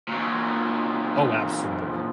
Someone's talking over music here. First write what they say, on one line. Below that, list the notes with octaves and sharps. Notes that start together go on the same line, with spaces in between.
Oh, absolutely.
A#2 F#3